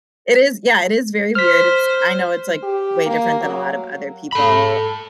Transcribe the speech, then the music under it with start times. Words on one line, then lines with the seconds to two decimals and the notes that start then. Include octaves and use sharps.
it is yeah, it is very weird. It's I know it's, like, way different than a lot of other people
1.35 C5 F6 B6
2.63 G4
3.05 A#3
3.40 F#3
4.32 A4 B5